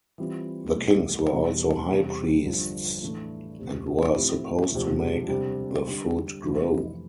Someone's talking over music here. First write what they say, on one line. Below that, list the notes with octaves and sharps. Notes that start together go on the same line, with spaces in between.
The kings were also high priests, and were supposed to make the food grow.
E3 G3 C4 F4
C2 B2 A3 E4
E2 B2 G3 B3
E2 C3 G3
G1 G2 F3
A2 E3 A3 D4
E1 D2 C3
A2 F3 C4 E4 G4
E1 D2 C3 F3
C3 G3 D4
D3 G3 D4
F2 C3 E3 A3 E4